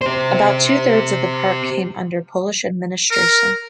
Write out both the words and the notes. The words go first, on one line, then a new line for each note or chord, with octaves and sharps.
About two thirds of the park came under Polish administration.
G4 C5
A#4